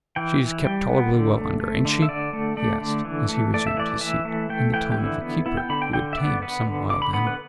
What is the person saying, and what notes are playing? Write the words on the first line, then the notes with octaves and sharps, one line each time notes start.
'She's kept tolerably well under, ain't she?' he asked as he resumed his seat: in the tone of a keeper who had tamed some wild animal.
E3 G5
E3
G3 G5
B3
D3
A3
A3
D3
E5
D3 D5
A3
A3 D5
D3
E3
A3
A3 D5
E5
E3 D5
E3 E5
A3
A3 G5
E3 G5
G4
D3 E4
B3
B3 E4
G5
D3 B5
G5
D3 G5
E5
B3 D5
B3 B4
D3
D3 D6
B5
B3 B5
B4